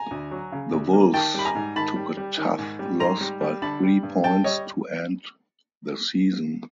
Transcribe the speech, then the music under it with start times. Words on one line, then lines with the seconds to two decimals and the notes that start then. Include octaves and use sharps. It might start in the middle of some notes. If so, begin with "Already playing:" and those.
The Wolves took a tough loss by three points to end the season.
Already playing: G#5 A#5
0.11 D2
0.31 F#3
0.52 C#3
0.72 D2
0.93 A#3
1.14 D#3 G5 A5
1.34 G3 B5
1.45 G#5 A#5
1.55 G#2
1.76 D#3 A5 B5
1.96 G3
2.17 G3
2.38 D#3
2.58 G#2
2.79 G3
2.99 G#2 A#5 C6
3.21 G3
3.41 G3
3.62 D3 A5 B5
3.83 G3
4.03 G2
4.24 G2 G5 A5
4.44 G3 C#5 D#5